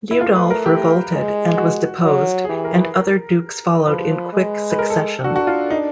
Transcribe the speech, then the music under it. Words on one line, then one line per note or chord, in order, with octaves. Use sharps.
Liudolf revolted, and was deposed, and other dukes followed in quick succession.
E4
A3 F4
B4
A#4
G4
G#3
F#4
F#3
G#4
E3 G4
A#4
B4
A#4
F3 B4
G#3
B4
A#4
A4
D4 F#4
F#4
F4
D#4